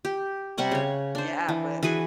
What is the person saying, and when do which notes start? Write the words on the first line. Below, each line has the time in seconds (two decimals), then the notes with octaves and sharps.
Yeah, but
0.05 G4
0.58 C3 G3 F#5 C#6
0.72 C#3 C#5
1.15 D4 C5
1.49 E3
1.83 E3 F#4 G#4 B4